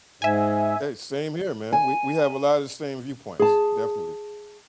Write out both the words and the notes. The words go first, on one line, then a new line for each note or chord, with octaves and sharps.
Hey, same here, man we we have a lotta the same viewpoints, definitely.
G#2 E5 G#5
G#5
G#4 A5